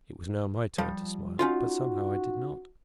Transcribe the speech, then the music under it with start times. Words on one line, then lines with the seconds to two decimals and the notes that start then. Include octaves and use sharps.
It was now my turn to smile, but somehow I did not.
0.78 F3 G3
1.39 C#4 D#4 F4 F#4